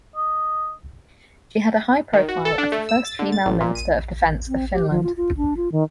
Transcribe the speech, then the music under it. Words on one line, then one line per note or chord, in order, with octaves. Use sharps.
She had a high profile as the first female Minister of Defence of Finland.
D#5
D#3
F#4
A4
D4
A3
E6
A6
D3
A6
A1
A#2
D#7
C4
G4
F3
F4
F4
D4
F4
D#3